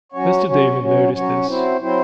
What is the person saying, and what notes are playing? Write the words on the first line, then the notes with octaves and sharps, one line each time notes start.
Mr. Damon noticed this.
F#3 C#4 F#4 C#5
F#3 C#4 F#4 C#5
F#3 C#4 F#4 C#5
F#3 C#4 F#4 C#5
F#3 C4 E4 C5
F#3 C4 E4 C5